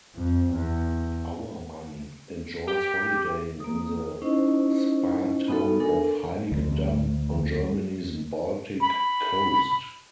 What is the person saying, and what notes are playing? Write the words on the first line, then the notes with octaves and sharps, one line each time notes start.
Auermann enjoys holidaying in the spa town of Heiligendamm, on Germany's Baltic coast.
F2
E2
G4
A#3 D#6
C#4 D#4 E4 C5 D#5
B3 D#4 F#4 A4
D4 A4 A#4 G#5
D2
B5